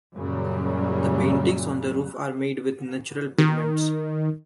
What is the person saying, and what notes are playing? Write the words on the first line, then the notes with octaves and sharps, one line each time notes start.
The paintings on the roof are made with natural pigments.
F#2 A#2 C#3 F#3 G3
D#3